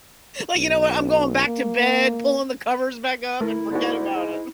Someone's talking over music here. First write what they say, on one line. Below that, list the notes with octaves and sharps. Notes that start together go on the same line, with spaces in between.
like, "You know what I'm going back to bed, pulling the covers back up, and forget about it!"
B1
A#3
A3 E4 A#4
D2 G#2 D3 B3 D#4 F#4
G#2 G#3